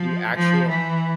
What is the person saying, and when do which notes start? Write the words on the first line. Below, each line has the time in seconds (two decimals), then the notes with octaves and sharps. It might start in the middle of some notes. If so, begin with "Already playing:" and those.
the actual
Already playing: F3
0.34 F3
0.68 E3